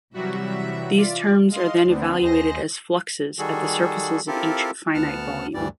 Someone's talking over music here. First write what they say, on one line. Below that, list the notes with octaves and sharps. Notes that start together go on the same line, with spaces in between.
These terms are then evaluated as fluxes at the surfaces of each finite volume.
C3 E3 F#3 G3 F#4 E5
F4 D5
G#3 D#5 F5 C6
D2 B3 C4 D4
D#2 G#4 C5 D#5 A#6
D#3 G3 F#4 G#4 A4
C4 E4 F4 G4 A4 A#4
D2 B3 F#5 A5 F6
D2 G2 E3 G3 D5